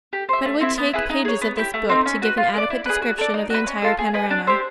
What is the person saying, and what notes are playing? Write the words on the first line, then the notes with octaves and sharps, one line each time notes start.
But it would take pages of this book to give an adequate description of the entire panorama.
G4
C5 E5
A3
C4 E4
B3
E4 G#4 B4
D#4
G#4 C#5
B3
E4 G4
A3
C4 D#4
C#4
F#4 B4
F4
A#4
D5
E4
G#4 B4
F#4
A4 D5
D#4
F#4 B4
C#4
F4 A4
G#4
B4 D#5 G#5
D4
G4 C5 E5